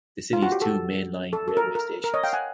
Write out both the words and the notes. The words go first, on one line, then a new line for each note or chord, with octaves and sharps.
The city has two main line railway stations.
F4
F#4
G4
A4
A4
A4
A#4
A#4
A#4
C#5 D#5
F5 G5
F#5 G#5